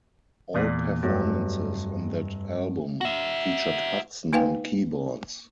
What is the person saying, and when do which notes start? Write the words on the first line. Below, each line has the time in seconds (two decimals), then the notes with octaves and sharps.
All performances on that album featured Hudson on keyboards.
0.54 E2 A#2 D5
1.03 F1 G2 F#3
3.01 F#4 E5
4.33 A#3 D#4 B4 F5 G5 G#5